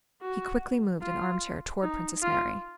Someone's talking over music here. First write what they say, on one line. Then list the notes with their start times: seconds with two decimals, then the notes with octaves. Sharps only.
He quickly moved an armchair toward Princess Mary.
0.22 F#4
1.01 F4
1.82 D#4
2.22 F4